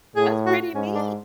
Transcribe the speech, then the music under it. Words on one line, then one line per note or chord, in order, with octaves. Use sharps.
That's pretty neat.
A2 G#4
F#4
G#2 C#4
D4